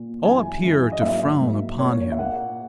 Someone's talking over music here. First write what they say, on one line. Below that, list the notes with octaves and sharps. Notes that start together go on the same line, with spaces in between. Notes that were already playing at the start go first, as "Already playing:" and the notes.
All appear to frown upon him.
Already playing: A#2
F#2 E3 G#3 G#5
F#2 E3 G#3
D#5
G#2 F#3 A#3 E5
G#2 F#3 A#3
A#2 A#3 C#5
E5
A#2 A#3 F#5